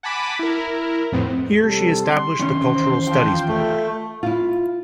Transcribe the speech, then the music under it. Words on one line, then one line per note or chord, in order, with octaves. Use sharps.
Here she established the Cultural Studies program.
F#5 G#5 A5 B5 D6 B6
E4 A#4
F2 A2 B3 C4
C3 G3 A4
C6
E2 D#3 C#4
C5
F3 F4 G5
A3
E4 F4